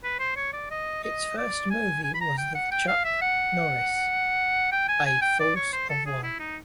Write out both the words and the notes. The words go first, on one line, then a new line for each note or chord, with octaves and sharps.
Its first movie was the Chuck Norris', "A Force of One".
B4
C5
C#5
D5
D#5
D#5
D5
G#5
G#5
B5
A#5
G5
F#5
G5
F5
E5
F#5
G5
G#5
G#5
G5
D5
C#5
C5
A4
G#4
E4
D#4